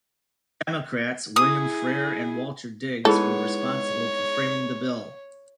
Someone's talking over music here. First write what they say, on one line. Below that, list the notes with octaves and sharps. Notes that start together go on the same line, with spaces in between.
Democrats William Frere and Walter Digges were responsible for framing the bill.
E4 G#4 D#6
G#3 B3 D#4 E4 G#4 A4 C#5 B5